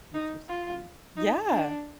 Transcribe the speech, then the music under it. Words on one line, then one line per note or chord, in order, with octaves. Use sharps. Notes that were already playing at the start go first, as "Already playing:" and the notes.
These are so fun. Yeah.
D#4
F4
D#4
D4